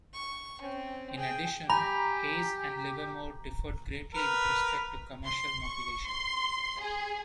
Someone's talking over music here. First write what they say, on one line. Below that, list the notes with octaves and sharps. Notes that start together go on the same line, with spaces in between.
In addition, Hayes and Livermore differed greatly with respect to commercial motivation.
C#6
C4 C#4
G#4 G5
G4 G#5 A#5 B5
A#4 B4
C6
C#6
C6
G#4